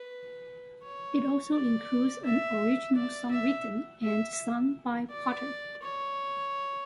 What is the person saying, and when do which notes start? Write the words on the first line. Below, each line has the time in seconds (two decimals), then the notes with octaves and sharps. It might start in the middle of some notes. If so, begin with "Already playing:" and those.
It also includes an original song written and sung by Potter.
Already playing: B4
0.83 C#5
1.54 D5
2.25 E5
2.96 D5
3.32 E5
4.03 E5
5.11 D5
5.83 C#5